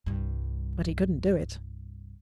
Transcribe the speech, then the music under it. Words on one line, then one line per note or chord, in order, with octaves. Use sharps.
But he couldn't do it.
C2 G2